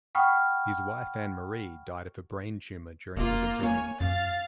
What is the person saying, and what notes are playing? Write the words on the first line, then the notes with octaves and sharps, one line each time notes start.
His wife Anne Marie died of a brain tumour during his imprisonment.
F#5 G5 B5 C#6 D#6 F6
F1 A#3 F4
A#3 C#5 G#5
F#2 F5 A6